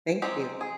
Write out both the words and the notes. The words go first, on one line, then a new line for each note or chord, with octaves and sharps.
Thank you.
G#3 C4 D#4 G4
G#4